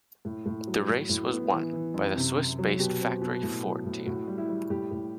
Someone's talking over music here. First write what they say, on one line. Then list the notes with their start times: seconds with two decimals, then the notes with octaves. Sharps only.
The race was won by the Swiss-based factory Ford team.
0.25 A2
0.46 A2
0.67 F#3
0.89 A2
1.09 A2
1.30 B3
1.52 E3
1.73 E3
1.94 F#2
2.16 C3
2.37 C3
2.59 F#3
2.79 B2 G4
3.00 C4
3.21 B2
3.43 A2
3.64 F#3
3.85 A2
4.06 A2 F#4
4.27 G3
4.38 E4
4.49 G3
4.70 A2 G4
4.91 A2